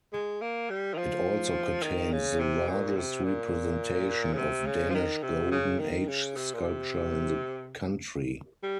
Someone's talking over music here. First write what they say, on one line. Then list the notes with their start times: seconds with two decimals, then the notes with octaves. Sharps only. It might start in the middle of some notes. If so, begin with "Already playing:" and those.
It also contains the largest representation of Danish Golden Age Sculpture in the country.
0.13 G#3
0.42 A#3
0.70 G3
0.94 D#3
0.98 F3
1.83 D#3
2.12 C#3
2.40 C3
2.69 A#2
2.97 C3
3.24 A#2
4.34 C#3
4.38 C3
4.66 C#3
4.90 F3
4.94 D#3
5.23 C3
5.51 C#3
5.79 D#3
6.08 C#3
6.36 C3
6.54 A#2
6.65 C3
8.63 G3